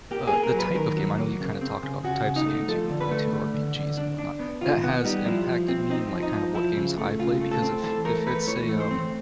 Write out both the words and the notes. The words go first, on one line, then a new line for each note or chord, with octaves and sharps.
uh, the type of game, I know you, kinda, talked about the types of games you've been playing too, RPGs and whatnot- that has impacted me in, like, kinda, what games I play because if if it's a, um
A#3 G4
G#4
A#3
A#4
F#3
B4
D#3 A#4
F#3
A#3
C#3
C4
C#3
C#3 F#4
C#3
D#4
A3
F3 A4
D3
B4
A3
D3
D3
D3
D4
D4
B3
D#3 F4
B3
G3 D#4
F3 E4
F3
C4
C4 D#4
F3
D#4
F3
F3 E4
C#3
A3
C#3 F4
A3
A4
C4
E3 A4
A3 A#4
A3 B4
E3 C#5
A3
C5
C4